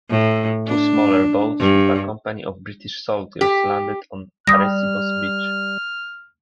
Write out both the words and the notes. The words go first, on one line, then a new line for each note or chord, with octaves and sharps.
Two smaller boats with a company of British soldiers landed on Arecibo's beach.
A2
D4
G2
G4
G3 D#6 F6 A#6